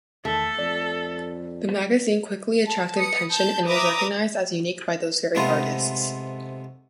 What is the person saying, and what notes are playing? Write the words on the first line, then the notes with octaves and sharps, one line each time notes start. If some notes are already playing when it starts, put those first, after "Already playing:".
The magazine quickly attracted attention and was recognized as unique by those very artists.
E2 D#3 A3 A4
F2 D5
A5
B4 D#6 C#7
A5 G6
B4 E5 A#5 D6 D#6 A#6
G#2 C3 A3 B3 F4